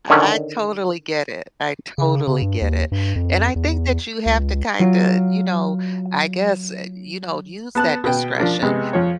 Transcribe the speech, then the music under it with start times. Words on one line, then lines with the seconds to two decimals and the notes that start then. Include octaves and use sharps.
I totally get it, I totally get it, and I think that you have to kinda, you know I guess, eh you know, use that discretion.
0.10 D3 D#3 C#4
1.98 C#3
2.28 C#3
2.42 G2
2.62 D#2
2.92 G2
3.16 F2
3.56 E2
4.26 C#2
4.79 F#3 F4 D7
7.75 B3 A5 F#6
8.04 B2 B4 G5
8.38 F3 D4 A#4
8.62 C3 G#3 B3
8.93 F2 F3 C#5